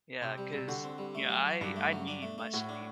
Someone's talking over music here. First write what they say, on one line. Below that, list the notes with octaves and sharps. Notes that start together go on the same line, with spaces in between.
Yeah. 'Cause, you know, I I need my sleep.
C3 C4
G3
G3
C3
D3 F#4
C4
G3
A3
F#3
F#3
G2 D4
A3
F#3
D4
A3
A3
A2 F#4
D4